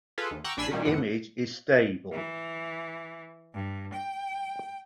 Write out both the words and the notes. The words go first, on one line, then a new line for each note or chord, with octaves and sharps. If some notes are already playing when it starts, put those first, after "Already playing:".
The image is stable.
F4 G#4 A4 B4
D#2
F#5 G5 A#5 C#6 D6 E6
A#1 D4 G#5 B5 E6 C7
A#2 D#3 G3 A#3 C#4
F2 A2 D3 F#5
E3
G2
G5